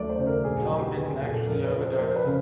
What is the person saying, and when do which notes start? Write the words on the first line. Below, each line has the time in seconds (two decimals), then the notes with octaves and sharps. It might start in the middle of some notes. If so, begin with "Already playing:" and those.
Tom didn't actually overdose.
Already playing: D#2 F#3 A3 D5
0.09 C5
0.18 C#3
0.27 A#4
0.44 A#1 G#4
0.61 F#4
0.70 F#3
0.78 G4
0.96 B3 G#4
1.13 G#4
1.21 A#2
1.30 A4
1.47 F2 A#4
1.64 B4
1.73 F3
1.82 C5
1.98 A#3 C5
2.16 B4
2.24 C#3 A#4